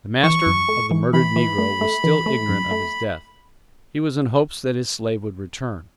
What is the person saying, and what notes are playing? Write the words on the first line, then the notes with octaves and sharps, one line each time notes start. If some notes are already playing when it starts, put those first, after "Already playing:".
The master of the murdered negro was still ignorant of his death; he was in hopes that his slave would return.
E3 C#6
F#2
A3
E3
E3 B5
E3
A3
A3
E3
A3
F#2
A3